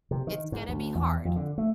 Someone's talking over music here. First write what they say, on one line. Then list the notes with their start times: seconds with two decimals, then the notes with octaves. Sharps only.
It's gonna be hard.
0.11 C3
0.27 D#3
0.52 G#2
0.69 D2
0.95 E2
1.25 F2
1.36 D3
1.58 A3